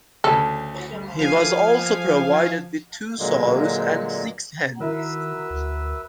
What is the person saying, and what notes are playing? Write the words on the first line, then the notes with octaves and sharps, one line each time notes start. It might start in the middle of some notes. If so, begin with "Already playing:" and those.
He was also provided with two sows and six hens.
D2 C#3 A4
F3 F5 G#5
A#2 D3 F#3 G#3 A#3
D#3 E4 F#4 A#4 B4 E5 E6
D2